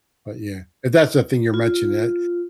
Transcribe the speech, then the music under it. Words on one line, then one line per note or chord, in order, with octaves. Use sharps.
but, yeah. If that's a thing you're mentioning, that
F4